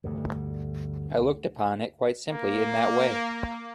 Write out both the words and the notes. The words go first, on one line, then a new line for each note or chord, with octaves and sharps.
I looked upon it quite simply in that way.
D2 G2 D3
A#3